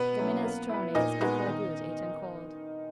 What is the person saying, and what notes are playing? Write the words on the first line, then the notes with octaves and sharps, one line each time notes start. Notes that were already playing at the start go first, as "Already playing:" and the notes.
The minestrone is equally good eaten cold.
Already playing: B2 B3 B4
F#3 C#4 E4
A#3
E4 B4
A#2 D#4 D#5
G#3 B3 D#4 F#4 B4 D#5
D#3